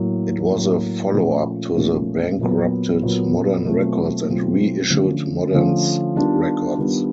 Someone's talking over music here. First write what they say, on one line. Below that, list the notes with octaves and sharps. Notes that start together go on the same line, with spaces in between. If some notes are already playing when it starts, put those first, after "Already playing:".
It was a follow-up to the bankrupted Modern Records and reissued Modern's records.
Already playing: A2 F#3 A#3
A2 F#3 A#3
A#2 F3 A3 C#4
A#2 F3 A3 C#4
A#2 F#3 B3
A#2 F#3 B3
B2 F#3 A3 C4 F4
B2 F#3 A3 C4 F4
D3 F3 A3 C#4
D3 F3 A3 C#4
D#3 G3 B3 D4 F4
D#3 G3 B3 D4 F4